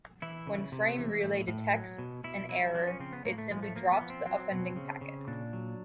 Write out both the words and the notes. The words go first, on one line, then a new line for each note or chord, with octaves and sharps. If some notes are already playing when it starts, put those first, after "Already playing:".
When Frame Relay detects an error, it simply drops the offending packet.
E3 E4
C#3
C3
E3
A2
A2
F#3
B2
B2 E4
F#3 E4
F3 D4
C#4
C#3 C4
B3
A2 A#3
A3
F3 G#3
A3
F3 A#3
B3
F3
C4
F#3 C4
B2
C#3
C#3
A#2 D4
F#3